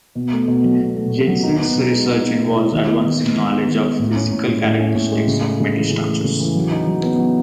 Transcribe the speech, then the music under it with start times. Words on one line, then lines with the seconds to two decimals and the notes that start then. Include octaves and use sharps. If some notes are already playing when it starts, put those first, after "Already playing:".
Jensen's research involves advancing knowledge of the physical characteristics of metal structures.
0.15 B2
0.33 A3
0.48 B2
0.64 F#3
0.80 B2
0.96 A3
1.12 B2
1.27 F#3
1.43 D#4
1.59 B3
1.75 B2
1.92 G#3
2.08 D#4
2.24 B3
2.40 B2
2.56 G#3
2.72 D#3
2.87 B3
3.04 D#3
3.20 G#3
3.36 D#3
3.51 B3
3.68 D#3
3.84 G#3
3.99 A2
4.16 C#4
4.32 A2
4.48 G#3
4.64 A2
4.79 C#4
4.95 A2
5.12 G#3
5.27 C#3
5.43 A3
5.60 C#3
5.75 E3
5.91 C#3
6.08 A3
6.24 C#3
6.40 E3
6.55 F#3
6.71 D#4
6.87 F#3
7.03 B3
7.19 F#3